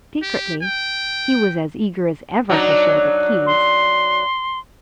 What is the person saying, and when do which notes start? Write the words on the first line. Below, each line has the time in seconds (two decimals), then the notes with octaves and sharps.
Secretly, he was as eager as ever to show the keys.
0.23 G4
0.63 G5
2.50 F#3 D4 D#4
3.46 C6